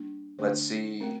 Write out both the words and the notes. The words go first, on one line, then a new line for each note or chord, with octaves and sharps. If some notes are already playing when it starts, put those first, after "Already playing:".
Let's see
Already playing: G3 A#3 D4
D3 A3 D4 C5
A3 C4 A#4